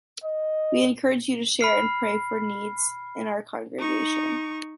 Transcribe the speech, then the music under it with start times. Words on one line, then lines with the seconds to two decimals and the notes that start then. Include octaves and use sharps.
We encourage you to share and pray for needs in our congregation.
0.24 D#5
1.61 B5 F6 C7
3.78 D#4 C#6